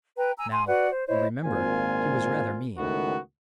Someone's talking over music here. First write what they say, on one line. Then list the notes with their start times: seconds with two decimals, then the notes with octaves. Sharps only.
Now, you remember, he was rather mean.
0.17 B4 G5 A#5
0.38 G#5 A#5 E6
0.52 G#5 C6
0.67 F#4 B4 D5 F#5
0.91 C5
1.08 E4 C5 C#5 D#5
1.45 G#1 A#2 C4 F4 G#5
2.77 C#2 A2 D#3 B3 F#4